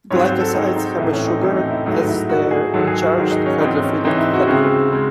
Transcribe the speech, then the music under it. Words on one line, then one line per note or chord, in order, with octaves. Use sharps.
Glycosides have a sugar as their uncharged hydrophilic headgroup.
G#2 F#3 C4 C#5
C5
A4
G#2 F#3 C4 D#4
D#4
A2 E3 C4 E4
C#4
D#4
A2 E3 C4 D#4
D#4
E4
G#2 F#3 A3 D#4
E4
G#2 F#3 A3 F#4
G#4
G#2 D#3 F#3 A4
G#4
F#4
G#2 D#3 F#3
D#4
C#4
G#2 E3 C4 D#4
C#4
G#2 E3 C4 D#4
E4
F#4
C#3 G#3 C4 F#4
C#3 G#3 C4